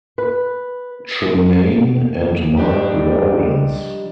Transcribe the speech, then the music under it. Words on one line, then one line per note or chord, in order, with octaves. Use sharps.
Tremayne, and Mark Lawrence.
B4
F3 G3 D4 D#4 G4